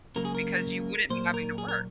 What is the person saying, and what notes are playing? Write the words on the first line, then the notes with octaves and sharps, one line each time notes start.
because you wouldn't be having to work.
C#2 C#3 F#3 A#3 A#4
G#4
A#4
A#2 F#3 A#3 C5
A#4
G#4
A#4